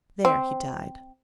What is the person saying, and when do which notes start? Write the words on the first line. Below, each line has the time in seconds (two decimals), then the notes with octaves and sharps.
There, he died.
0.25 C4